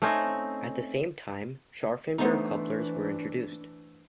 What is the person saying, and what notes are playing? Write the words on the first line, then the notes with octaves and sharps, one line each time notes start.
At the same time Scharfenberg couplers were introduced.
A3 C4 C#4 D#4
E3 A3 B3 D4 D#4 C5